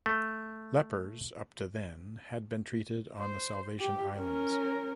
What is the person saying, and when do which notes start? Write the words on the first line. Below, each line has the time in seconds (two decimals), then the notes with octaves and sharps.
Lepers up to then had been treated on the Salvation Islands.
0.06 A3
3.18 C5
3.79 G4
4.16 C#4 A#4